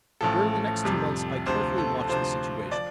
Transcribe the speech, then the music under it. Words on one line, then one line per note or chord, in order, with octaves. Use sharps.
During the next two months I carefully watched the situation.
A1 A2 F3 A4
F2 C3 G3
D2 C3 F3 C5
A4
D2 C3 F3 C5
F3 D5